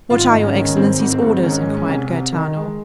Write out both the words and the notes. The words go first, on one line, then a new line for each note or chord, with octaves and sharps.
"What are your excellency's orders?" inquired Gaetano.
G#1 F4
D#4
G#2
C#4
D#3
C#4
G#1 C4
G#1
C4
G#2
D#3 C#4
C#4
G#3
C#4
C2
C3
D#3
G#3